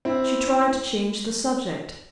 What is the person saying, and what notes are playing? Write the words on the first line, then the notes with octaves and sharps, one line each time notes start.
She tried to change the subject.
C4 E4